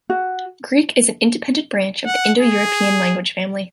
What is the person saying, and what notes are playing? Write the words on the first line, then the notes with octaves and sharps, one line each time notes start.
Greek is an independent branch of the Indo-European language family.
F#4
F#5
G#4